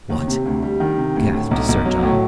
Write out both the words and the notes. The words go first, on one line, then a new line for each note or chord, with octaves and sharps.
"What!" gasped Sir John.
D#2
C3
D2
G3
D#3
C3
D2
A2
B1
B1
F#3
A2